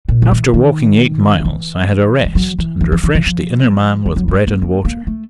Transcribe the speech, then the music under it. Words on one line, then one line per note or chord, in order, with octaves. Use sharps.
After walking eight miles, I had a rest, and refreshed the inner man with bread and water.
A#2
F3
E3
D#3
F3
E3
G3
F#3
E3
E3
E3
E3
E3
F3
G3
F#3
G3
G#3
A#3
A#3
A#3
A3